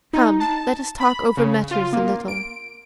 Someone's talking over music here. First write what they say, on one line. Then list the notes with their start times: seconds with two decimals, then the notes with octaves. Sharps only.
Come! let us talk over matters a little.
0.13 D#4
0.40 A5
1.00 B5
1.37 C#3
1.71 F4
1.93 A#3
2.28 D7